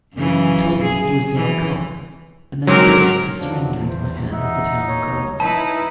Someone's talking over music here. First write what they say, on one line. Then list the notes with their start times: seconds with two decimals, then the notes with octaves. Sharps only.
He told me he was the Alcalde, and that he begged to surrender into my hands the town of Coamo.
0.16 F#2 C#3 E3
0.84 G#4
1.35 E3
2.67 G#2 F#3 C4 C#4 A#4
3.39 E2 F3 F#3 D4
3.89 C5
4.32 D#4 D#5 E5 F#5
4.88 D#2 C#5
5.40 D#4 E4 B4 A5 B5